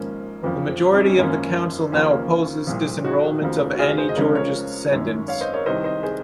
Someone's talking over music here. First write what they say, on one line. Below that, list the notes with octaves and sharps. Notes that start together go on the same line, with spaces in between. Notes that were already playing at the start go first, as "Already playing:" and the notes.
The majority of the council now opposes disenrollment of Annie George's descendants.
Already playing: G#1 G#2 F3 A#3 C#4
F#1 F2 C#3 F3
C4 D#4
C#4
D#4
G#1 F#2 F3 A#3 C#4
D#2 C#3 F3 A#3 C#4
A#3
C2 A#2 F3
D#4 F#4
F1 D#2 C#3 F3
F#4
F4 G#4
G#4 C5
D#5
C#2 C#3 F3 A#4 C#5
A#4 C#5
G#1 F#2 D#3
C#5 F5
C5 D#5
A#4 C#5
C2 C3 D#3 C5 D#5
C5 D#5
G#4 C5